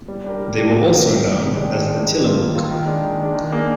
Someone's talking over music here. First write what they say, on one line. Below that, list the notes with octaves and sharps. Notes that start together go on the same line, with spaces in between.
They were also known as the Tillamook.
G3
D4 G4 A#4
G3
D4 G4 A#4
C3
D#3 A#3 D#4
C3
D#3 A#3 D#4
D#3
G#3 D4 G4
D#3
G#3 D4 G4
D#3
A#3 F4
D#3
A#3 F4
D#3
G#3 D4
D#3
G#3 D4
D#3
A#3 D4 G#4